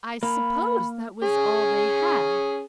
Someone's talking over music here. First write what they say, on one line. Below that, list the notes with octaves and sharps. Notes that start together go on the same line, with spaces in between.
"I suppose that was all they had."
A#3 B5
C#4 G#4